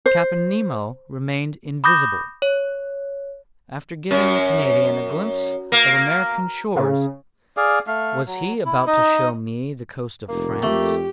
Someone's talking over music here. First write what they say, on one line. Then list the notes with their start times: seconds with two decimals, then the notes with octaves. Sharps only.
Captain Nemo remained invisible. After giving the Canadian a glimpse of American shores, was he about to show me the coast of France?
0.06 C5
1.84 B5 D6 D#6 G6 A#6
2.42 C#5
4.11 F#2
5.72 A#3
6.76 C#3
7.57 G#4 D5 F5
7.87 A3 F5
8.27 F#3
8.65 E4
8.87 D#4 D#5
10.29 F1 A#3
10.62 F2 A3 G4